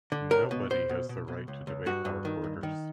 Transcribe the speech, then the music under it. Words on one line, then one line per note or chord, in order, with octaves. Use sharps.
Nobody has the right to debate our borders.
D3
C#2 A#4
B2
B2 C5
B2
B2
B2
C#2
C#2
G2 F#4
G2
D#3
G2
D#3